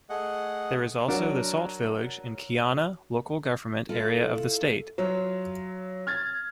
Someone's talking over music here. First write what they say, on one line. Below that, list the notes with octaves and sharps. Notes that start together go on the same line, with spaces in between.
There is also the Salt Village in Keana Local Government Area of the State.
A3 G#4 D#5 F#5
F#3 D4 F#4 A#4
E4 F4 A4
F#3 F4 E5
F6 G#6 A6